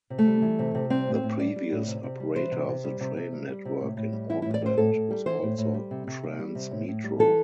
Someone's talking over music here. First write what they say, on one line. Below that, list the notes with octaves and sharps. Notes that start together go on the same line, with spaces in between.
The previous operator of the train network in Auckland was also Tranz Metro.
C3
A3
G3
E3
C3
C3
G3 C4
A2
C4
A2
G3 D5
G3
A2
C3
C3
G3
E3 C5
C3
C3
G3
C3
C3
G3
G3
C3
A2
A2
G3
E3 E4
A2 E4
D5
A2 C5
A2 A4
A2
G3
E3 C5
A2
A2
G3
C3
C3
G3
G3
C3
A2
A2
G3
E3 A4